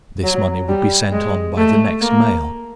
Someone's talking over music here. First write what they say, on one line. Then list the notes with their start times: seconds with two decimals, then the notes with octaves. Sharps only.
This money would be sent on by the next mail.
0.23 F#3
0.69 G3
1.12 G#3
1.58 A3
2.02 A#3